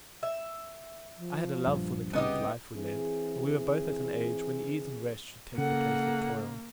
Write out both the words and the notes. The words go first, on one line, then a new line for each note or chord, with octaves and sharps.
I had a love for the kind of life we led, and we were both at an age when ease and rest should take the place of toil.
E5
F3
A#1 G2
C2 C#3 B3 D#4 G4
E3 C4 G#4
C#3 A#3 A4 F#5